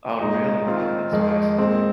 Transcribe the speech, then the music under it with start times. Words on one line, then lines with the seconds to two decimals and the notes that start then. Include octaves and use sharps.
Oh, really? Oh that's fascinating.
0.19 A#2 G#3 D#4
0.65 D#3 C4 F4
1.12 F2 D#3 G#3
1.58 A#2 G#3 C4